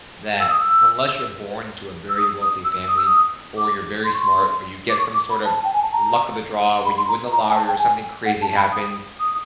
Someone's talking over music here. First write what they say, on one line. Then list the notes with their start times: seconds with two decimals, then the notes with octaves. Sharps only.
that, unless you're born into a very wealthy family, or you're very smart, or you get some sort of luck of the draw where you win the lottery or something crazy happens,
0.41 E6
0.50 D#6
0.60 E6
2.09 E6
2.18 D#6
2.42 D#6
2.65 E6
2.88 D#6
2.97 E6
3.06 D#6
3.58 D6
4.04 C6
4.14 C#6
4.23 C6
4.89 D6
4.99 C#6
5.14 D6
5.30 B5
5.45 A5
5.64 G5
5.74 G#5
5.83 A5
5.93 A#5
6.86 B5
6.97 C6
7.08 A#5
7.32 A#5
7.49 G#5
7.55 A5
7.68 G5
7.79 G#5
8.26 F#5
8.42 A5
8.57 B5
8.72 D#6
9.20 D#6